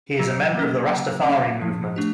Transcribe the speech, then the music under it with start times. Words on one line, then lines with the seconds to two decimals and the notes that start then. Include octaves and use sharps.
He is a member of the Rastafari movement.
0.19 F#3
0.55 A#3 C#4
0.90 F#3
1.25 A#3 C#4
1.61 F3
1.96 A3 D4 G4